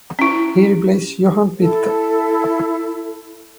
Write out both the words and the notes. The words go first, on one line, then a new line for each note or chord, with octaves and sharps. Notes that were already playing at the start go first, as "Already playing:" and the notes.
He replaced Johan Pitka.
C#4 E4
E4 A4